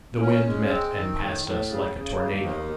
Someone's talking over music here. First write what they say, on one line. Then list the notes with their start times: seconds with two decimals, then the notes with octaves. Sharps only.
The wind met and passed us like a tornado.
0.20 C#4
0.46 G#3
0.70 C4
0.95 D#3
1.19 A2
1.44 A2
1.69 C#3
1.94 C#3
2.19 D#2
2.43 D#3